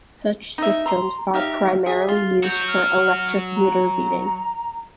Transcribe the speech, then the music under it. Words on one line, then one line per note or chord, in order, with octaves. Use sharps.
Such systems are primarily used for electric meter reading.
D#4 E5
A#5 C6
D#4 G4 E5 F5
G#4 E5
F4
F#3 F#4 G6
F6
A#5